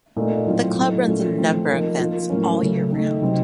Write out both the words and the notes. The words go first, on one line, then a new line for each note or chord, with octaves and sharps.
The club runs a number of events all year round.
A#2 A3 D#4
A2 F#3 C4 F4
A2 F#3 A3 D#4
A#2 A3 C#4 F4
F3 A3 C4
F3 A#3 D#4
F3 A#3 F4
A2 F#3 A#3 C#4
C#3 F#3 A3
D#3 A3 D#4
C3 F#3 C4 D#4